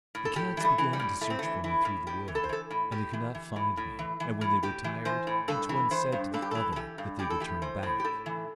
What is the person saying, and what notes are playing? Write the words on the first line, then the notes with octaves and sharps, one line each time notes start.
The cats began to search for me through the wood, and they could not find me; and when they were tired, each one said to the other that they would turn back.
A2
A4
A2 G4
E3 G3
A3
E3
G3
A2
A2 A3
C4
E3 A3
E3 E4
A2
A2 G4
E3
A4
C5
E3 A4
A2
A2 G4
E3
E3
A2
A2
E3
E3
A2
A2 G4
E3
E3 C5
A2
G2 A4
E3
E3 C5
G2
G2 A4
G4
E3 A4
A4
E3 G4
G2
A2 G4
A4
E3 G4
E3 C5
A2
G4
A2 A4
E3